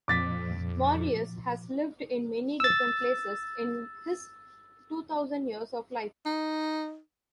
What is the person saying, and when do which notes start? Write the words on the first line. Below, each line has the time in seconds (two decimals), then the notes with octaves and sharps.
Marius has lived in many different places in his two thousand years of life.
0.08 F2 A#2 F3 D6 A6 B6
2.60 E6 A6
6.26 D#4